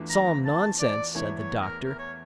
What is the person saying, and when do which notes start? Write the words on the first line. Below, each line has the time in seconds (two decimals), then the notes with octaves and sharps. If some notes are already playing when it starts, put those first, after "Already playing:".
"Solemn nonsense," said the doctor.
Already playing: E2 E3 A3 D4 F4
0.10 A#5
0.45 A5
0.79 D5
1.15 E2 E3 A3 E4 C#5
1.38 C#5
1.61 A#4
1.85 A#4
1.99 C#5